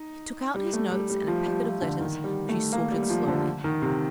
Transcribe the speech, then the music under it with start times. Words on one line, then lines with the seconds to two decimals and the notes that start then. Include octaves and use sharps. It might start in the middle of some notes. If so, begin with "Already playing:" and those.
He took out his notes and a packet of letters, which he sorted slowly.
Already playing: D#4
0.54 G3
0.73 A3
0.91 G3
1.10 G3
1.28 F3
1.46 G3
1.64 F3
1.82 D3
2.00 D#3
2.24 G3
2.49 A3
2.73 A#3
2.91 G3
3.02 G3
3.10 F3
3.27 D3
3.64 D#3
3.82 C3